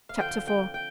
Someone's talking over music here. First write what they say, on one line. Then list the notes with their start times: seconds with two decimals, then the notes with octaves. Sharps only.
Chapter IV.
0.09 F5
0.20 D3 F3 C4 G5
0.47 G5
0.74 G5